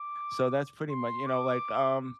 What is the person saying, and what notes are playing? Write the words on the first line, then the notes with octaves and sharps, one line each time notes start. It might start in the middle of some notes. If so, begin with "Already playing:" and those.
So that's pretty mu you know, like, um,
Already playing: D6
C6
D6